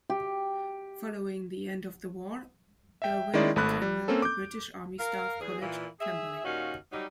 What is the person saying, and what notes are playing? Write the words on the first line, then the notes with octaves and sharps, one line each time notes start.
Following the end of the war, Irwin attended the British Army Staff College, Camberley.
G4
E5 G5
D#3 G#3 C#4 E4 D5
G#1 A3 B5 F#6
G3
A#3 C4 C#4 A4
D6 G6
A#4 F5
E2 G#4
A#2 E3
G#4 E5
D#2 A#2 C#4 D#4 F#4 F5
F#3 G3 D#4